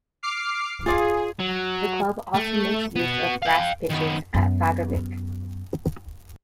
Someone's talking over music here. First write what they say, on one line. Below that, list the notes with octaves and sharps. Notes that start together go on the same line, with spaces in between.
The club also makes use of grass pitches at Fagervik.
D6 F6 C7
F4 G#4 D5 F5
F#3
A3
B3 F#4
F5 G5
D#3 B3
F#2 B3